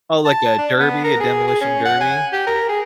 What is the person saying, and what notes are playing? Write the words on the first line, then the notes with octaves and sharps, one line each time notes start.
Oh, like a derby a demolition derby?
A5
D4
B3
A#4
G#4
G#4
C#4
F#5
G#5
G4
A#4
G#4